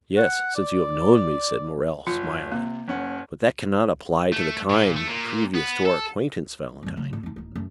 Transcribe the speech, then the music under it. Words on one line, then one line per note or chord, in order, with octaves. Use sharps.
"Yes, since you have known me," said Morrel, smiling; "but that cannot apply to the time previous to our acquaintance, Valentine."
F#5
D5
F#1 F4
C3 A#3
F#1 C#4 F#5
A3
A#2
A3
A#2
B3
A4
F2 G3
C#3 F#3
A2 D3
F2 D#4
D1 D#4
F#2